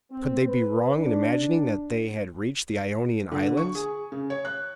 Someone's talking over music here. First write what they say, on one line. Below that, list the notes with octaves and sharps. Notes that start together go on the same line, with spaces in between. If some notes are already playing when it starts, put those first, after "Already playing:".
Could they be wrong in imagining that they had reached the Ionian Islands?
C4
B4
D4
D3
C#6
G#4
C#3
C#5
F#6